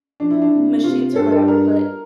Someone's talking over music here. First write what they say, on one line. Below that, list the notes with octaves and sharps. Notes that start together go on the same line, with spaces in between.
m machines or whatever, but,
F3 D4
E4
D4
C3
C3 F4
G2 A4
A4
A#4